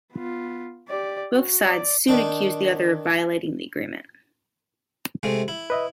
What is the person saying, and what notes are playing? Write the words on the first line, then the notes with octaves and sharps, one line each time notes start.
Both sides soon accused the other of violating the agreement.
B3 F4
G4 D5
F#4
D5
D#3 D4 G5
C3 G#3 A3
E4
B4 D#5 E5